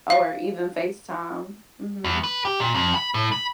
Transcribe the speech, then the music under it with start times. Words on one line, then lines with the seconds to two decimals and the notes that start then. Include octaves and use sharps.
or even FaceTime. Mhm.
0.10 F5
2.05 E2
2.24 B4
2.45 G4
2.60 A#2
2.75 F2
2.95 B5
3.14 A2
3.32 B5